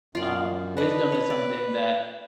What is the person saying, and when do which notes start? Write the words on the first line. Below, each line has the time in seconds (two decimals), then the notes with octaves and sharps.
Um, wisdom is something that
0.15 F#2 F4 D5
0.77 D4 B4 D#5
1.12 C#5 D#5
1.30 D5